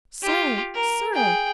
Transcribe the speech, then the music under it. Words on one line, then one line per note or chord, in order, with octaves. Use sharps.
"Sir! sir!"
F4 G4
A#4
G#4 G5